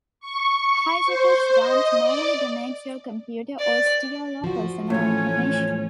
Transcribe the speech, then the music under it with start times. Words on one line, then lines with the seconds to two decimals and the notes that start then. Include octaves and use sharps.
Hijackers don't normally damage your computer or steal your personal information.
0.20 C#6
1.05 C5
1.59 D#5
2.02 D5
3.59 D5
4.44 F3 F#4
4.90 E2 A2 C#4 C#5